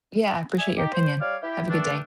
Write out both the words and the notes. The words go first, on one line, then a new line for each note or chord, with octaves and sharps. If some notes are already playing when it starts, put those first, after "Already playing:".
Yeah, I appreciate your opinion. Have a good day
D5 E5 G#5
D#4 G4
C5
G3 C#5 D5 F5
E4 G4
G2 D#3 A3 D4